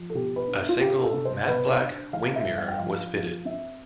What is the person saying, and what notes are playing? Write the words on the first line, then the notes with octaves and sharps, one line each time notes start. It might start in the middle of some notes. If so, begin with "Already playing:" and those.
A single matte black wing mirror was fitted.
Already playing: F3
A4
B2 G4
B4
D4
F4
D4 G4
A4
C3
C5
B2 B4
C5
D4
E3 F5
E5
G2
F5
G5
F3 F5
F3
C4 E5